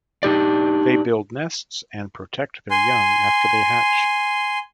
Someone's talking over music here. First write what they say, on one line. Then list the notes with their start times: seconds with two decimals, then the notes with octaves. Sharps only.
They build nests and protect their young after they hatch.
0.23 D4 D#4 G4 D5
2.71 G#5 C6